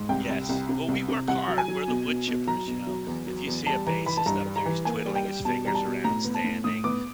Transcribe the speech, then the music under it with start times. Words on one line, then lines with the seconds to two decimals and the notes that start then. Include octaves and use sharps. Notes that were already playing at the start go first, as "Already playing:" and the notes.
Yes. Well, we work hard. We're the woodchippers, you know. If you see a bassist up there, he's twiddling his fingers around, standing,
Already playing: G#2
0.09 C2 G5
0.29 C2
0.49 C2
0.69 C3
0.88 C2
1.08 C3
1.28 C2 F#5
1.48 F#3
1.58 G#5
1.68 F#3
1.88 B2
2.08 B2
2.27 B2
2.47 F#3 A#5
2.67 B2
2.87 F#3
3.07 E2
3.27 F#3
3.47 E2
3.66 G3 A5
3.86 E3 A#5
4.06 E3 B5
4.17 A5
4.26 G2 A#5
4.46 G3
4.56 A#5
4.66 E3
4.85 A#3 G#5
5.06 G3
5.16 G5
5.25 G3
5.45 B2 A5
5.65 G3 A#5
5.75 A5
5.85 B2
6.04 A2 A#5
6.24 B3
6.34 A5
6.44 A2
6.64 A2 D#6
6.84 B3 D6